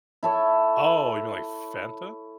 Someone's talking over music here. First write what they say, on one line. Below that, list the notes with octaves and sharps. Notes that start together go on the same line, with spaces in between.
Oh, you mean, like, Fanta?
E4 A4 C#5